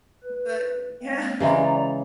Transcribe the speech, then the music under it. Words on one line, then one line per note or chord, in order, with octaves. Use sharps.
but Yeah.
B4
G#3 A#3 C4
C#3 E3 G#3 D5 A#5